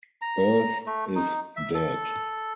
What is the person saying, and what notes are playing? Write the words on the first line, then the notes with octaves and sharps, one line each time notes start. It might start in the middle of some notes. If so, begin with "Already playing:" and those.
Earth is dead.
A#5
A3
D#4
E5
A4